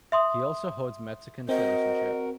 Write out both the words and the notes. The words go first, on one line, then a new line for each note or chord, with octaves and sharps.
He also holds Mexican citizenship.
E5 C6 D#6
C4 F#4 A#4 D#5